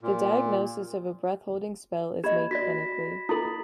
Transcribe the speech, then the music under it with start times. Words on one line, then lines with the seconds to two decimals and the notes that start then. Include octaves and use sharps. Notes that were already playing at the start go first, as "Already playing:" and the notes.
The diagnosis of a breath-holding spell is made clinically.
0.01 A#2
2.24 G4 D#5 B5 G#6 E7
2.51 F#4 D5 A#6 B6
3.29 E4 F4 A4 D#6 A6 F#7